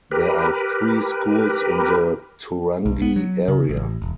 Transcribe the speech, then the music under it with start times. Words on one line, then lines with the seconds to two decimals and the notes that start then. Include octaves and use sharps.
There are three schools in the Turangi area.
0.11 G4 A#4 B4
2.86 B1
3.02 B3
3.16 F#3
3.48 C#3
3.69 A1
4.02 E1